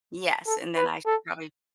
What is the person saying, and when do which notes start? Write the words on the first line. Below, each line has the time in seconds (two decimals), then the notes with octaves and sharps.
Yes, and then I should probably
0.46 A4
0.76 B4
1.06 A4